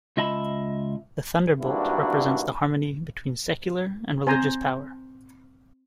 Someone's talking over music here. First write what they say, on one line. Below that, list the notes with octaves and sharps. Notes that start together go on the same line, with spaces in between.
The thunderbolt represents the harmony between secular and religious power.
C#2 F4 D#5 E5 A5 B5
G#1 G2 A#2 D4 E4 F#4
C4 C5 G#5 A#5